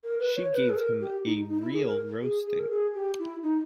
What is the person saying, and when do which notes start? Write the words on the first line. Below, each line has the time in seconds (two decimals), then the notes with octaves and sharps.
She gave him a real roasting.
0.04 A#4
0.20 B4
0.36 C#5
0.53 B4
0.69 G#4
0.77 A#4
1.00 G4
1.25 D#4
1.49 D#4
1.61 E4
1.73 G#4
1.86 A#4
2.22 G#4
2.46 G#4
2.59 A#4
2.70 G#4
2.94 G4
3.19 E4
3.43 D#4